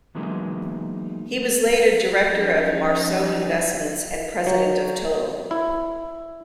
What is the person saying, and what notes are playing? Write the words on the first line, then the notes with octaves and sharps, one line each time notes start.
He was later director of Marceau Investissements and President of Total.
E3 F#3 G#3 A#3 B3 D#4
F3 C#4 D#4
F#3
E4